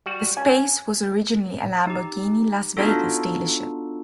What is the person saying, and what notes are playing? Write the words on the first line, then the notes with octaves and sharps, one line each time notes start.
The space was originally a Lamborghini Las Vegas dealership.
G3 F#4 F#5
C#4 G#5
D#4 G4
B3 D4 D#4 F4 F#4 A4